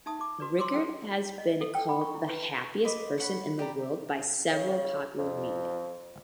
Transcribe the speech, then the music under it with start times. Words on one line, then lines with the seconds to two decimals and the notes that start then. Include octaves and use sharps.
Ricard has been called the "happiest person in the world" by several popular media.
0.06 D#4 E5 A5 D#6
0.21 D6
0.40 F#4 B4 D5
0.59 F4 C6 D6 E6
0.73 E4 A4 C5 F5 G5 E6
1.38 D#5
1.61 A4
1.75 G5
1.89 B5
2.01 C#6
2.14 E4
2.30 B4
2.85 B4 D#5 C6 D6
3.18 C#5 F#5 B5
3.59 G4 D5 A#5 B5
4.50 C#3
5.18 F2